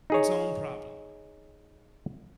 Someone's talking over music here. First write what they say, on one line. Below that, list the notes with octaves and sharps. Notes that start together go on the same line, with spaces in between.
its own problem.
D#4 G#4 C#5